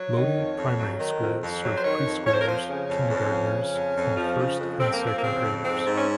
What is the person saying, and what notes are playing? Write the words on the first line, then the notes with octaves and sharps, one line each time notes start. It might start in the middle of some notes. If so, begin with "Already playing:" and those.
Lodi Primary School served preschoolers, kindergarteners, and first and second graders.
Already playing: F#3 C#5
D#3
F2
F2
F#3
D#3
F2
F2
F#3
C5
D#3 C#5
F2
F2 C#5
C5
A#4
F3 C5
C#3 C#4
F2
F2
F3
C#3
F2
F2
F3
C#3
F2
F2 C4
A#3
F3
C4
A#3
C#3 C4
F2
G#2 C4
G#2
C#4